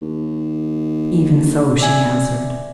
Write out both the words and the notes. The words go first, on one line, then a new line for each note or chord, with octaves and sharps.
"Even so." she answered.
D#2
D5 E5 G#5